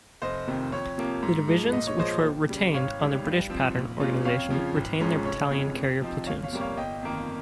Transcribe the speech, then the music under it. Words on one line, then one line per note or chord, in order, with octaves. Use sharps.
The divisions which were retained on the British-pattern organisation retained their battalion carrier platoons.
F1 C5 D#5
F2 C3 D#3
F2 C#5
C3 F3 A#3
G#2
F3 G#3
A#2 D#5
C#5
F3 G#3 C5 D#5
D#2
C#3 G3
G#1 C#5 F5
G#2 G3
G2
F3 C4
A#1
A#2 G#3 C#4 F4
F2 C#5 F5
C#3 F3
G#1
G#2 F3 G#3 C#4
F1 C#5
F2 C#3 G#3
F2
C3 F3 C4 D#4
G1 C#5 F5
C#5 F5
F2 C3 G3 A#3
C#5 F5
G1 D#5 G5
F2 D#3 A#3